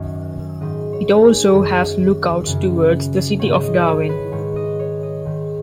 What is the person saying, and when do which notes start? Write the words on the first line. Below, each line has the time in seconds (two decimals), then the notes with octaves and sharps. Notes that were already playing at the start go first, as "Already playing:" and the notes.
It also has lookouts towards the city of Darwin.
Already playing: F#2 D#3
0.61 G#2 D#3 D#5
0.93 C#5
1.23 G#4
1.54 F#2 D#3
2.46 F#2 C#3
3.39 G#2 D#3 C#5
3.63 D#5
3.87 C#5
4.09 B4
4.32 G#2 D#3 C#5
4.56 D#5
4.79 C#5
5.03 D#5
5.25 G#2 D#3